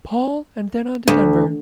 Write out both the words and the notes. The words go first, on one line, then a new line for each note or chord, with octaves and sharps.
Paul and then on to Denver.
D2